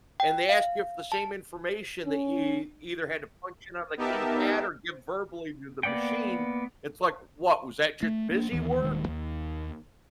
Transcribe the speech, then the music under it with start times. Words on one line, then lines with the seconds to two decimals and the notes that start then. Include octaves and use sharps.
and they ask you for the same information that you either had to punch in on the keypad or give verbally to the machine, it's like, "What, was that just busy work?"
0.20 G5
0.49 F5
1.12 A5
2.05 C#4
3.97 B3 D#4 G4 A#4 E5 A5
5.83 A#3 B3 D5 F#5 G5
8.03 A3
8.31 A#3 D4
8.52 D#2 D#3 E3 B3
8.82 D#1 D#3 G#3
9.08 D#2